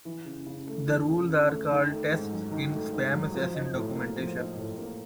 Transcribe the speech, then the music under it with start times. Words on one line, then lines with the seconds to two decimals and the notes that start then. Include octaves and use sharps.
The rules are called "tests" in the SpamAssassin documentation.
0.05 E3
0.25 C#3
0.46 C#3
0.67 A3
0.87 E3
1.08 C#3
1.29 C#3
1.49 A3
1.70 D#3
1.90 A3
2.11 G#2
2.32 F#3
2.51 D#3
2.73 A3
2.93 G#2
3.13 F#3
3.34 F3
3.54 D#4
3.75 A2
3.95 A#3
4.16 F3
4.37 D#4
4.57 A2
4.78 A#3